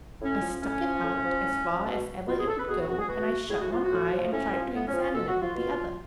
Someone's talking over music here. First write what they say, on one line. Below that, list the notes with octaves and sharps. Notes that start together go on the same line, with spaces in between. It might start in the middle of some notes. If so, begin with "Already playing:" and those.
I stuck it out as far as ever it would go, and I shut one eye, and tried to examine it with the other.
A2 C#4
F3
A2 C#4
F3
A2
F3
A2
F3
B2
B2 F4
G#4
A4
B4
B2 G#4
F#4
F#4
G#4
B2 F#4
A2 G#4
F#4
F3 F4
F#4
A2
F3
A2 C#4
F3
A2 B3
C#4
F3
F4
B2 A4
F#4
F4
B2 F4